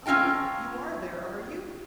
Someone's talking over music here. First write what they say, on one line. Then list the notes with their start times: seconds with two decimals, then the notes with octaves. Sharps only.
Oh! you are there, are you?
0.06 C4 C#4 F4 G5 A5